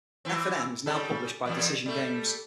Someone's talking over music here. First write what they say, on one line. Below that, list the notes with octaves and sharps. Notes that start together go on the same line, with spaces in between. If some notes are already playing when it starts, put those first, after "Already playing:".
"F and M" is now published by Decision Games.
E3 C4
C#3 G3 A4
E2 A#2 G3
G3 A3